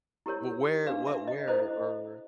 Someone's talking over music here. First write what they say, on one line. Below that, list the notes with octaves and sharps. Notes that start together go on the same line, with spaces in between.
Well, where what where or
E4 G4 A#4 C#5
D4 F#4 B4 F5
E5
D#5
E4 A4 C5 D#5